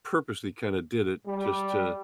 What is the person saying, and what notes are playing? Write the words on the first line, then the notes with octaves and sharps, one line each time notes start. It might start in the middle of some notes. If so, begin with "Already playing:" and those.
purposely kinda did it just to
G3